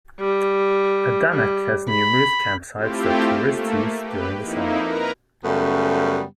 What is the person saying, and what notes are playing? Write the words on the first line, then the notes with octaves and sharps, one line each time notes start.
Adanac has numerous camp sites that tourists use during the summer.
G3
G3
B5
A3 C4 E4 F4 G4
A3 A#3
G4 B4
F2 A#3 D#4 E4
A#4 B4 A#5
F#2 C#3 G3 A3 B3 A4